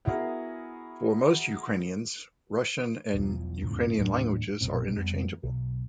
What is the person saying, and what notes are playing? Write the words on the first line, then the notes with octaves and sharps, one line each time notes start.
For most Ukrainians, Russian and Ukrainian languages are interchangeable.
B3 E4 F#4 G#4 A#4
E1 B1 E2 F3
D#1 E2 G#2 C#3
D#2 A2 F#3 D4
A#1 F#2 B2 C4
F2 G3 B3
B1